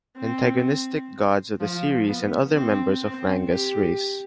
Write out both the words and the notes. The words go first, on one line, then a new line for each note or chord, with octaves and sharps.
Antagonistic gods of the series and other members of Ranga's race.
C4
F3
B3
C4
C4
G4